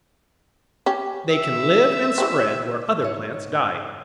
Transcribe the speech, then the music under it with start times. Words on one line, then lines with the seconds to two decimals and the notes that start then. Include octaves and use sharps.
They can live and spread where other plants die.
0.86 C#4 G4
1.30 E5
2.18 E3 G3 C4
3.00 G#2 D#4 C#5